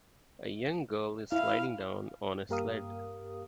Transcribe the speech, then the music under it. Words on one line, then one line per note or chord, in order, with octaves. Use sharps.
A young girl is sliding down on a sled.
E4 F5
G2 A#3 G4 A#4 F5 D#6